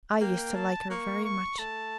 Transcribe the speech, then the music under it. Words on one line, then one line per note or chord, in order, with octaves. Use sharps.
I used to like her very much.
A#3 G5
A5
A#3 C#6
C#6
A3 A5